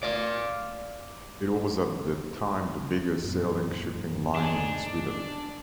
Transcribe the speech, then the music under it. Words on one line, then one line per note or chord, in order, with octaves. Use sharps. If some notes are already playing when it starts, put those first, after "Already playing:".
It was at the time the biggest sailing shipping line in Sweden.
D5 F5
F#2 A#2
D4 D#4 G#4
D5